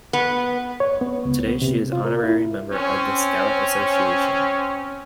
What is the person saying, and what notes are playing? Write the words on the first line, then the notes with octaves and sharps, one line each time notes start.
Today she is Honorary member of the Scout association.
B3
C#5
B3
C#2
B3
C3
F4
A#4
E4
C4 C#4